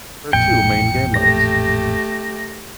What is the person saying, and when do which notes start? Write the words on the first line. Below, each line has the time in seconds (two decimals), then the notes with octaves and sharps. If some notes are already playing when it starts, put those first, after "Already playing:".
There are two main game modes.
0.33 A1 F2 A#2 G5 C#7
1.14 A3 G4 A#6